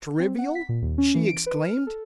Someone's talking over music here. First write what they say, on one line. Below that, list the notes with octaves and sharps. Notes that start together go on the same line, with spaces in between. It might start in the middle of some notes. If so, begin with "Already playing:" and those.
"Trivial!" she exclaimed.
C4
F#5
B6
A#2
D#2
C#4
E3
D7
B4
F6
A4